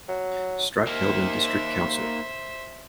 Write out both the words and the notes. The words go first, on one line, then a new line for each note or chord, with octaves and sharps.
Stratkelvin district council.
F#3
A#3 D#4 C5 E5